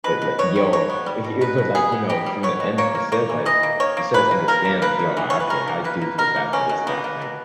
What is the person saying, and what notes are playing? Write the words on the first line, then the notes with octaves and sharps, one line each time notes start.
But, like, yo, he, but, like, you know, from the end, like you said, like, he started to understand, like, yo, okay. I do feel bad for this guy. Like,
B2 B4
B2
B2 C#5
G3
B2 C#5
B3
G3
B2
B2 B4
B2
B3 G#4
B3
B2 G4
G3
B3 C#5
B2
A#3 C#5
A#3
A#3 C#5
E3
E3 D#5
A#3
A#3 C#5
A#3
E3 B4
A#3
A#3 A#4
A#3
A#3 B4
A#3
E3
E3 C#5
B4
B2 A#4
A#3
A#3 B4
A#3
B2 A#4
A#3
B2 C#4
B2
A#3 B3
A#3
B2